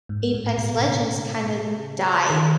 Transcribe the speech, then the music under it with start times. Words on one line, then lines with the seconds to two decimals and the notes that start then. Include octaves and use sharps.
Apex Legends, kinda, died
0.09 G#2
0.34 A2
0.58 B2
0.83 C#3
2.30 D#3